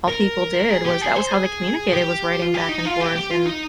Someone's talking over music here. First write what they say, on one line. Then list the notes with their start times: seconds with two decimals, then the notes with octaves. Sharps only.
all people did was that was how they communicated was writing back and forth and
0.08 A#4
0.70 G#4
0.85 G4
1.01 G#4
1.16 C5
1.31 G#4
1.93 G4
2.42 F4
2.54 G4
2.69 D#4
2.85 F4
3.01 G4
3.16 G4
3.31 F4
3.46 D#4